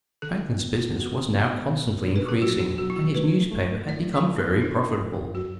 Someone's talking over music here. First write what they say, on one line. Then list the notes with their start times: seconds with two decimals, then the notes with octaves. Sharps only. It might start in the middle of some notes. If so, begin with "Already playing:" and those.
Franklin's business was now constantly increasing, and his newspaper had become very profitable.
0.22 D3 A4
0.59 B3
0.96 F#4
1.32 B3
1.70 B2
2.05 D4
2.16 B4
2.29 A4
2.42 F#3 F#4
2.60 F#4
2.78 F#3 F#4
2.90 E4
2.96 F#4
3.15 A3 B4
3.51 A3
3.88 E4 D5
4.13 D5
4.24 D3
4.36 B3
4.61 F#2 D4
4.98 F#2
5.34 F#2 F#4